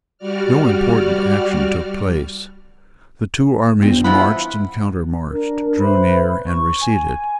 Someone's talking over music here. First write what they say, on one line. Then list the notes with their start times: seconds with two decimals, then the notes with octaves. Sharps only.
No important action took place. The two armies marched and countermarched, drew near and receded.
0.18 G3 F#4 D5 F6
3.82 G1 C4
4.04 C3 E3 F3 E4 F4 F#5 B5
5.31 D4 A#4
5.80 B4 C5 E5 B5
6.48 C#6
6.81 G#5